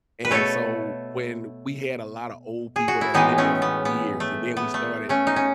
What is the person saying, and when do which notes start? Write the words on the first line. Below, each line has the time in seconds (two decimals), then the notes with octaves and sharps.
and so, when we had a lotta old people that's been there for years, and then we started
0.25 B4
0.31 B2 A3 A4 C#5
2.76 G#4
2.88 F#4
3.01 E4
3.14 A2 E3 G#3 B3 D#4
3.38 A3 C#4
3.62 B3
3.85 B3
4.20 A3
4.57 B3
4.74 A3
5.09 A3 C#4
5.27 D#4
5.36 C#4